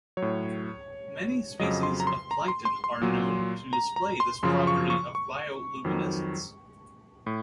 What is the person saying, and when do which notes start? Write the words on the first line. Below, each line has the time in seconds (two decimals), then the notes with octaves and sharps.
Many species of plankton are known to display this property of bioluminescence.
0.17 F#3 C#5
0.22 A2
1.59 F2 C#3 F#3 D#5
1.83 C6
2.00 A#5
2.07 C6
2.31 A#5
2.48 C6
2.65 C6
2.84 C6
3.01 A#2 F#3
3.73 A#5
3.96 A#5
4.20 C6
4.43 F#2 C#3 F3 C6
4.67 C#6
4.90 C#6
5.15 C#6
5.85 F2 D#3 F#3
7.26 A2